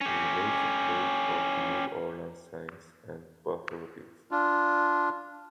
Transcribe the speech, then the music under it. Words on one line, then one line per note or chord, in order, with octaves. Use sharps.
He later played for the New Orleans Saints and Buffalo Bills.
C#4 G4
D4 F4